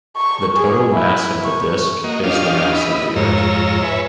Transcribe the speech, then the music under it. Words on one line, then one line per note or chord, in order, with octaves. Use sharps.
The total mass of the disk is the mass of the Earth.
C#6
G#4
E4
C#6
A#3 F#4 D#5
C#4 D4 F4 G4 D#5 F5
E4 D#5 B5
F2 G#2 F4 C#5 A#5 E6
B4 C#5 E5 G#5